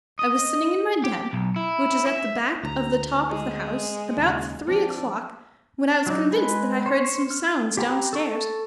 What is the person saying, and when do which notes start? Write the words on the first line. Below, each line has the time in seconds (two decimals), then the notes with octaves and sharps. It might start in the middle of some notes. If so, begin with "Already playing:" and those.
I was sitting in my den, which is at the back of the top of the house, about three o'clock, when I was convinced that I heard some sounds downstairs.
0.19 D#5
1.04 G4
1.33 B1
1.56 E4
2.07 E5
2.63 D2 A#5
3.29 G#3
4.17 D#2 C#3
4.68 F3 C4 D4
6.07 F#3 D4 D#4
6.31 G#3 B4
6.86 C5 C#5
7.31 F6
7.77 G4 G5 A#5 B5
8.13 A4 C#6